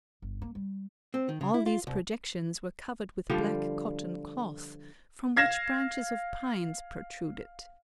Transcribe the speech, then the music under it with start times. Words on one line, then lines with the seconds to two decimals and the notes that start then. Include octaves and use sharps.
All these projections were covered with black cotton cloth, from which branches of pines protruded.
0.22 G1
0.42 A#3
0.55 G3
1.14 C4
1.29 D#3
1.41 C#3
1.54 E4
1.66 F4
1.87 C2
3.30 D3 F3 G3
5.36 F5 G#6 A#6 E7